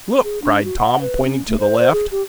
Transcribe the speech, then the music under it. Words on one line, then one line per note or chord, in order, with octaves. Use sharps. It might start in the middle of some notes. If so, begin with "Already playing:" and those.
"Look!" cried Tom, pointing to the left.
G#4
D4
F#4
F#5
B4
C#4
A3
C5
C5
G#4
G4